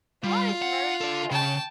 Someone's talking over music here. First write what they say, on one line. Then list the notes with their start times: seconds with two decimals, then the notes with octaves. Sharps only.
What Is Marriage For?
0.24 G3 F4
0.62 F#5
1.01 A4 D5
1.31 C#3 G5 A5